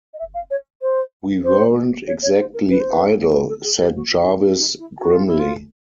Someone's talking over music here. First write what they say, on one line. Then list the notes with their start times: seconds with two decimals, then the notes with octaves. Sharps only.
"We weren't exactly idle," said Jarvis grimly.
0.13 D#5
0.19 E5
0.34 F5
0.50 C#5
0.82 C5
1.44 C5
2.07 C#5
2.22 C#5
2.38 C5
2.54 A#4
2.70 B4
2.80 C5
2.91 B4
3.32 B4
3.48 A4
3.63 G#4
3.80 G4
3.95 F#4
4.10 F4
4.21 E4
4.26 D#4
4.42 E4
4.58 D#4
4.79 E4
4.99 F#4
5.13 F4
5.26 E4
5.39 F4